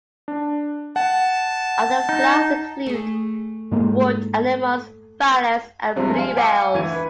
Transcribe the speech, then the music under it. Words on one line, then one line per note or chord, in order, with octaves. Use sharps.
Other flowers include; wood anemones, violets and bluebells.
D4
F#5 A5
D#4
A3 G#4
G#2 G#3 A#3
G2 C3 F3 G3 G#3
F5 G#5
F5 G5 G#5 D6 E6 C#7
D2 E3 G#6 D#7
B4